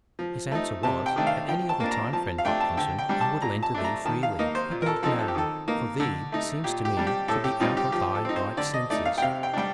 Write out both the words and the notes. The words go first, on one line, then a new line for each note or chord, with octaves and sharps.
His answer was, 'At any other time, friend Hopkinson, I would lend to thee freely; but not now, for thee seems to me to be out of thy right senses.'
F3
A3 D#4
C3 A5
G5
D#3 A3 D4
F5
F3 G5
A5
A#3 D4
A#5
F3 A5
F5
A3 D4 G5
A5
D3 G5
G5
G3 D4
A5
A#2 A#5
A5
A3 D4
A#5
D#3 A5
F5
A#3 D#4 D#5
C5
A#2
A#4
A4
F3 C4 D#4 A4
A4
G4
D#3 A4
A#3 D#4
D3
A3 D#4
A#2 G4
G4
G3 D4
G4
A2 A4
G4
G3 C4 D#4 F4
G4
F3 G4
A4
C4 D#4
C5
D3 D5
D#5
A3 D#4 D5
F5
G5
C3 F5
G5
G3 D4 G5